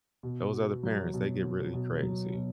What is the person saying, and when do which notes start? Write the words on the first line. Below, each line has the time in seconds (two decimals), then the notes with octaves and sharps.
those other parents, they get really crazy.
0.23 B2
0.53 F#4
0.83 F#3
1.14 B2
1.43 F#4
1.74 B2
2.03 F#3
2.33 B2